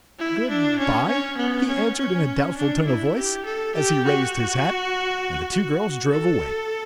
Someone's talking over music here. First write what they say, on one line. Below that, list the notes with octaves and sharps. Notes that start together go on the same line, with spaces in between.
"Good-by," he answered in a doubtful tone of voice, as he raised his hat; and the two girls drove away.
E4
D4
C#4
C#4
B3
C#4
C#4
D4
E4
G4
A4
G4
F#4
F#4
A4